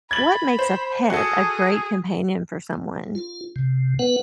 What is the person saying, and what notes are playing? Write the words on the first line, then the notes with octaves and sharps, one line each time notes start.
What makes a pet a great companion for someone?
B5 G#6 A6 F#7
C5
F#4 G#4 A4
F4
C3
B3 B4 F#5